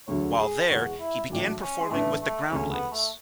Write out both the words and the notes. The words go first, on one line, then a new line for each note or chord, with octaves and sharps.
While there, he began performing with The Groundlings.
E1 D2 D3 F#3 C#5
G#4
E2 B2 G#3 F#4
E4
A1 A2 F#3 D4
C#4
G#3
A1 A2 E3 A3 B3 D4
A3
E1 D2 C#3 C#4
B3
A3